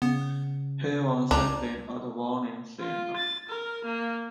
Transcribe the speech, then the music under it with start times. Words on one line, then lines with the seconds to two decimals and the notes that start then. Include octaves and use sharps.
He was sending out warning signs.
0.02 C#3 B3
1.31 C#2 D4 A#5
2.80 F4
3.16 A6
3.49 A#4
3.84 A#3